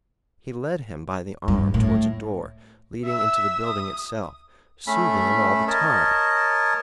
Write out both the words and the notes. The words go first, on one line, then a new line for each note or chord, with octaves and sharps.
He led him by the arm towards a door leading into the building itself, soothing him all the time.
G2
A2
E5 E6
D#6
A3 C#4 E5 B5
A#4 C#5 D#5 A5